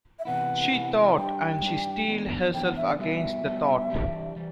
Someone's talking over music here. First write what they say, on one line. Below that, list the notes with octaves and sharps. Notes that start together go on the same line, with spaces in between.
She thought; and she steeled herself against the thought.
E5
C3 E3 B3 E4 F#5
C3 E3 B3 E4
G3 D4 G4 G5
G3 D4 G4
E3 B3 D4 A4
E3 B3 D4 A4 G5
F#5
E5
D5
G3 B3 F#4 A4 E5
G3 B3 F#4 A4
E3 G3 D4 G4
E3 G3